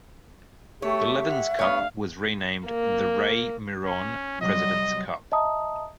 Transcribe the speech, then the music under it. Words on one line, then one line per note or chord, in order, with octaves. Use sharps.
The Levins Cup was renamed the Ray Miron President's Cup.
A3 G4 C#5 E5
F#5
G3 A3 B3 D4 C#5 F5
A#3
C#4
C3 F#3 G3 D#5
D#5 E5 A5 A#5 D#6